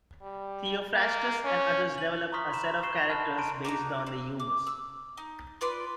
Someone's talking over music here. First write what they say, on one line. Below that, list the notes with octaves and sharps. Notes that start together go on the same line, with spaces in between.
Theophrastus and others developed a set of characters based on the humors.
G3
A#3
C#4
F#7
A#5 C6 C#6 D#6 F6 B6
B5 E7
C#6 C7 E7 G7
A5 B5 F6 F#6
A5 A#5 C6 D7 D#7
A#3 D#4 F#4 A#5
C4
D6
E6
D#4
F4 B4 D5 C6